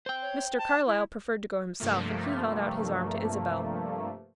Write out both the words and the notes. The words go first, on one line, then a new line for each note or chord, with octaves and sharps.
Mr. Carlyle preferred to go himself, and he held out his arm to Isabel.
C5 G5
C#5
A5
E4
G2 C3 F3 A3 A#3